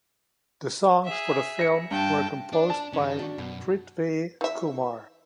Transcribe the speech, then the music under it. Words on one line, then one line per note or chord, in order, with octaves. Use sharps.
The songs for the film were composed by Prithvi Kumar.
G#4 E5
A#6 C#7
G2 G5 A5
D4 D5
A5
G2 D#3 C#4
D4 F#4
F#2 B2
E3 E5